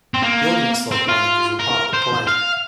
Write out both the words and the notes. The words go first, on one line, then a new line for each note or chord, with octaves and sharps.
The audience thought the bandages were part of the play.
C4
A#3
C4
F4
A#4
C5
F5